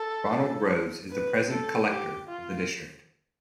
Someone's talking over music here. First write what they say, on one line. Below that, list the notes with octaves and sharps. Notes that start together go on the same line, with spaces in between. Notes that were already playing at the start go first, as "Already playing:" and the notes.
Ronald Rose is the present collector of the District.
Already playing: A4
B4
A4
G4
F4